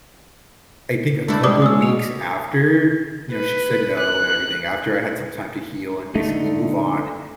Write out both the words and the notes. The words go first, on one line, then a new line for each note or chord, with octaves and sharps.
I think a couple weeks after- you know, she said no and everything- after I had some time to heal and basically move on,
A3 D4 E4
G3 G#3 D5 D6 D#6
C#4 D#6 E6
B2 F7
B4
F#6
D3 A3 D#4